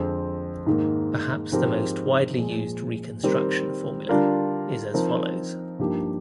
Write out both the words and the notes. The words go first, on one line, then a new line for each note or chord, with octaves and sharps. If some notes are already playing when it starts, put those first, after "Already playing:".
Perhaps the most widely used reconstruction formula is as follows.
Already playing: F2 D3 G#3 C4
G#2 D#3 A#3
G#2 F3 C4 G4 A#4
A#2 F3 G#3
D#3 G3 C4 G4 A#4
D3 G3 D4 F4 A#4
F3 C4 D#4 A#4
G2 F3 A#3 D#4 G4